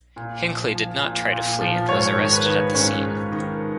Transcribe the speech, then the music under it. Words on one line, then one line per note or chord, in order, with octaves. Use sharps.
Hinckley did not try to flee and was arrested at the scene.
A#2
F3
F3
A#2
A#2
F3
G#2 C#5
D#3
B4
D#3
G#2 C#4
G#2
D#3